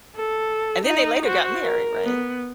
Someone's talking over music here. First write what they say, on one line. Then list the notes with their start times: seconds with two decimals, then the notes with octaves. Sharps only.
And then they later got married, right?
0.16 A4
0.85 D#4 D#5
1.25 F#4 C5
1.64 A#4
2.05 B3